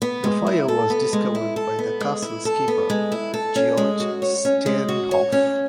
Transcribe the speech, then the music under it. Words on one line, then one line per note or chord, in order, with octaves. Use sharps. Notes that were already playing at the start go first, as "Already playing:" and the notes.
The fire was discovered by the castle's keeper, Georg Stiernhoff.
B3
G#3
E4
A4
B3
G#3
E4
A4
B3
G#3
E4
A4
B3
G#3
E4
A4
C#4
G#3
F#4
C#5
C#4
G#3
F#4
C#5
C#4